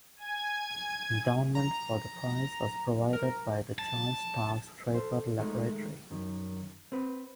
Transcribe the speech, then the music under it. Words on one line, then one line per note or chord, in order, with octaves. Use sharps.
Endowment for the prize was provided by the Charles Stark Draper Laboratory.
G#5 G#6
A#5
A#4
A5
A4 C5
D#3 G#3 A3 D#4 F4
F#2 D#3
C4 B4